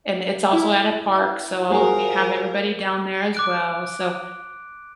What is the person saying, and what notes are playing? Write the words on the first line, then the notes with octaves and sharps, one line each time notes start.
and it's also at a park, so I'll you have everybody down there as well, so
E4
F3 G3 F#4 G#4 A#4
D6 F#6 D7